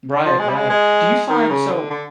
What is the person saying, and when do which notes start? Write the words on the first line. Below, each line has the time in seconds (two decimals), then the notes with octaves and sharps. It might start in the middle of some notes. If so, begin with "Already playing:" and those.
Right, right. Do you find so,
0.25 F3
0.39 G#3
0.49 G3
0.55 G#3
0.70 G#3
1.29 D#3
1.50 C#3
1.70 D3
1.90 D3